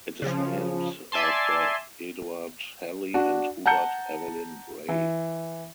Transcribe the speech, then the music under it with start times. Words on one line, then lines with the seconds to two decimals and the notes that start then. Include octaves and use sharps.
It is named after Eduard Helly and Hubert Evelyn Bray.
0.22 C#3 F3
1.12 D5 E5 G#5 A5 C6
3.14 D4 F#4
3.66 F#5 A5 A#5 G6 C#7
4.89 E3